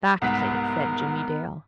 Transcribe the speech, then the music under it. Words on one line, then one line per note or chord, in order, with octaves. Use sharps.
"Exactly," said Jimmie Dale.
C2 G#2 B3 A#4 F#5 A#5 B5 B6